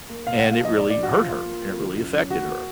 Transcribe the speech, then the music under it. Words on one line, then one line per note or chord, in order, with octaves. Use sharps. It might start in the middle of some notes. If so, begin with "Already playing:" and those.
and it really hurt her, and it really affected her,
A#3
A#2 F5
A#2 F#5
F5
F3 D#5
A#2 D5
A#1 D5
F#4
F3 F4
F3 F4
A#3
A#3
D#3
F#1
F#2
D#3 F#4
A#3